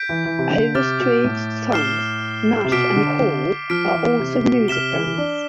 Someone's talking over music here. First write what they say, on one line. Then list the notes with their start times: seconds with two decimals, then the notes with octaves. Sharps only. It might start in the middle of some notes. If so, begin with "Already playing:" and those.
Overstreet's sons, Nash and Chord, are also musicians.
Already playing: G6 B6 D7
0.09 E3
0.25 E3
0.39 C3
0.50 D3
0.75 C3 D6 F6 A6
0.99 B2
1.24 A2
1.73 F6 C7 E7 G7
2.64 C3
2.72 B2 D6 F6 B6 D7
2.96 D3
3.21 D3
3.70 F3 F6 B6 D7
3.95 E3
4.19 C3
4.44 B2
4.60 B2
4.68 C3 F6 B6 E7 G7
4.93 E3
5.18 D4